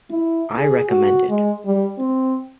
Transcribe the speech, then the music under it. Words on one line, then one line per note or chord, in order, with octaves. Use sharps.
I recommend it.
E4
G#4
F#4
G#3
G3
C4